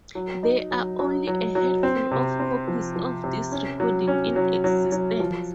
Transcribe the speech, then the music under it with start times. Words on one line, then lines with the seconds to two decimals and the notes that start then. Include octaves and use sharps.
There are only a handful of copies of this recording in existence.
0.15 F#3
0.43 D#4
0.71 F#3
0.99 F#3
1.27 F#3
1.55 F#3
1.83 C4
2.11 C3
2.40 C4
2.68 F3
2.96 F3
3.24 C3
3.52 C#4
3.80 F#3
4.08 C#4
4.36 F#3
4.64 F#3
4.92 F#3
5.20 F3